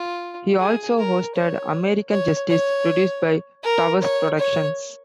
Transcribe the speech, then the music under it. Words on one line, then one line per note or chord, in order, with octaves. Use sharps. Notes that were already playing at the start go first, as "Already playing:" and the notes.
He also hosted "American Justice", produced by Towers Productions.
Already playing: F4
G#4
A#4
C#5
C#5
C#5
A#4
C#5
C#5